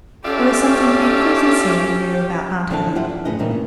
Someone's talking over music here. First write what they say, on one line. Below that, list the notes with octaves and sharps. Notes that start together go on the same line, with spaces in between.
There was something beautifully sincere and real about aunt Helen.
C#4 F4 G4 A4 D5 E5
D3 E3 C4 E4 G5 A5
F4 G4 C5 E5 F#5
D4
F2 A2 C#3 G#4 B4 D#5
G2 A#2 C#3 E3 C4 D#4
D#3